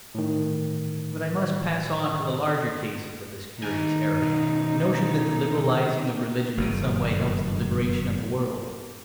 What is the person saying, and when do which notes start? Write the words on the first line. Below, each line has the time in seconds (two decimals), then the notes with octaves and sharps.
But I must pass on to the larger cases of this curious error; the notion that the "liberalising" of religion in some way helps the liberation of the world.
0.15 A2 D#3
3.63 D#3 D#4 G#5
4.21 B2 D#3
6.57 F#1 G2 D#3